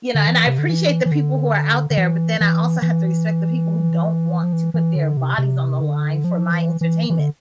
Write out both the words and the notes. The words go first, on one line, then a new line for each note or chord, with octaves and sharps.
you know? And I appreciate the people who are out there, but then I also have to respect the people who don't want to put their bodies on the line for my entertainment.
D3
E3
C3
D3
E3
E3
D3
D3
E3
E3
E3
F3
E3
E3
D3
C3
C3
D3
F3
E3
E3
E3
D3